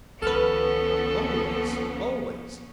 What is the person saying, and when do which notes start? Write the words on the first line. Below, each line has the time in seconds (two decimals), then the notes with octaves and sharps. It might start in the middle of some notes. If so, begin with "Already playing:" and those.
Always. Always.
0.22 C#2 D#3 F3 B3 C#4 A4 B4 F6